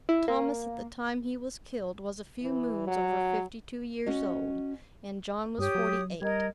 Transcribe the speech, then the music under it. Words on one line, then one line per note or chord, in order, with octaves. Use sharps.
Thomas, at the time he was killed, was a few moons over fifty-two years old, and John was forty-eight.
E4
A#3
E3
F#3
C#4 F#4 D#5
G2 G4 C#5 D#6
F#3
G3 A#4 D#5 G#6